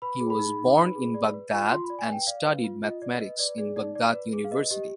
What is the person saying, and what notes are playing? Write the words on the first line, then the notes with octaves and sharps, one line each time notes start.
He was born in Baghdad and studied mathematics in Baghdad University.
B4 B5
G#4
B5
D#4
D#4
B4
G#4
D5
B4
F4
F4 C6
B5
D5
G#5
B4 G5
D5 F5
B4
F4
F4 D#5
D5
B4 D#5
B4 D5
G#4 D5
D#4 D5
D5
B4
G#4
F5
B4 D#5
G4 D#5